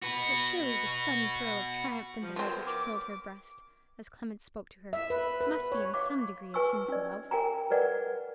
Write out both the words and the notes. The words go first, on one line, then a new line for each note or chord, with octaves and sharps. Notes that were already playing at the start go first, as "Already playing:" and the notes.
But surely this sudden thrill of triumph and delight which filled her breast, as Clement spoke to her, must be in some degree akin to love.
F#4 B4
F3
F#2 F3 B3 C4 A#4
D6
D6
E5
B4
B4
C#5
F5 D6
B4 G#5 C#6 E6
C#4 D5
A#4 G5 G#5 A#5
A#4 B4 D5 F#5